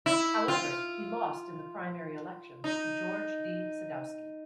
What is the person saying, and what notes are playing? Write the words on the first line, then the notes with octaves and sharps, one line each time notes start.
However, he lost in the primary election to George G. Sadowski.
E4
F4
D#4